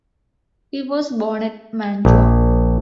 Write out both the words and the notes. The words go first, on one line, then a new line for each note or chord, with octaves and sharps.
He was born at Mantua.
A#1